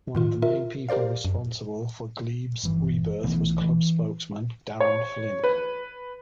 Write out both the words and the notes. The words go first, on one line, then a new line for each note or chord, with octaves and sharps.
One of the main people responsible for Glebe's rebirth was club spokesman Darren Flynn.
A2 D#3 F4
F4 A#4 E5
G4 A#4 C5 D5 F5
F#2
G1 E3
B1 B2 E3 A3
E3
C#5
B4